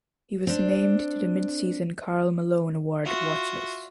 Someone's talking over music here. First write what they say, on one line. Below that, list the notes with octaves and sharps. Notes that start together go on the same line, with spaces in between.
He was named to the midseason Karl Malone Award watchlist.
C4 D4
F4 F#4 E5